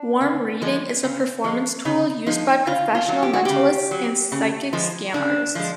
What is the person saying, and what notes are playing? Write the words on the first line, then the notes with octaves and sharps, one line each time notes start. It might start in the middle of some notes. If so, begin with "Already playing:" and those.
Warm reading is a performance tool used by professional mentalists and psychic scam artists.
Already playing: D4
C#3
F3 G#3
C#3
F3 G#3
C#3 D#4
F3 G#3 D#4
C#3 F4
F4
F#3
G4
F#4
C#3 G4
F#3
C#3
F3 G#3
C#3 D4
F3 G#3